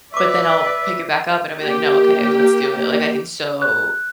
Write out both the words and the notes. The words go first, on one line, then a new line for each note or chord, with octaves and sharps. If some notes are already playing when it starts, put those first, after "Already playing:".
But then I'll pick it back up, and I'll be like, "No, okay, let's do it," like, I can so
B4 D5 E5 C#6 D6
A#3 G4
F#6